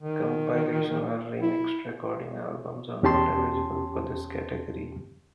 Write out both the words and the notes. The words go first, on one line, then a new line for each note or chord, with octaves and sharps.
Compilation or remixed recording albums are not eligible for this category.
D#3
E4
E2 C#4 G4 A5 C6